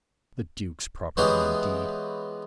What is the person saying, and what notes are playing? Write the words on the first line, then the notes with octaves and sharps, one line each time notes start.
The Duke's property, indeed!
E3 G#3 B3 C#4 F#4 G4